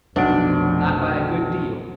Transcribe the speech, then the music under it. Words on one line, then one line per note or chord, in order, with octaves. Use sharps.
Not by a good deal.
F1 B1 F3 D4 F#5 D7